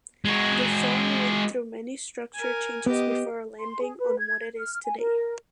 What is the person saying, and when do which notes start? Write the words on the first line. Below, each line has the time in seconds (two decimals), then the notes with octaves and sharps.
The song went through many structure changes before landing on what it is today.
0.25 G#3 F#4
2.34 A#4 G#5
2.86 B3 G4 D#5
3.59 C6
3.81 G#4
3.98 B4
4.18 G#6
4.59 F6
4.85 G#5
4.99 A#4